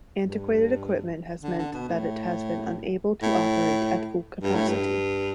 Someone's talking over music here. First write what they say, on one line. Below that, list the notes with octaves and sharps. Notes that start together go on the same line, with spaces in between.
Antiquated equipment has meant that it has been unable to operate at full capacity.
G2
D3
D3
B2
A2
A2
G2
A2
G2